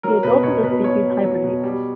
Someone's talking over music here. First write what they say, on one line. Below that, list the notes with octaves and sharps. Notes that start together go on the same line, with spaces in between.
The adults of the species hibernate.
F#3 A#4
B2 B4
B2 C#5
B2 B4
F#3 C#5
F#3
F#3
B2
G3